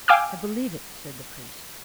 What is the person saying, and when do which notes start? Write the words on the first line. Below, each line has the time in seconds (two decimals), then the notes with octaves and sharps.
"I believe it!" said the priest.
0.08 F5 G5 G#5 D6 E6 F6